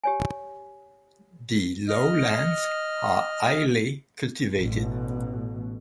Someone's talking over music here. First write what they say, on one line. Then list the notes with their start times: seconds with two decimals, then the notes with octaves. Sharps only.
The lowlands are highly cultivated.
0.04 G4 C#5 G#5
1.89 D#5 F6
4.58 A1 B2